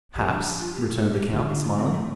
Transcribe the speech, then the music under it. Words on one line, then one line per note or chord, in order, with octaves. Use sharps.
"Perhaps," returned the count, smiling.
F3 G4
D4
F4
G4
A4
G4
D3 F4
D4
F4
C4
A3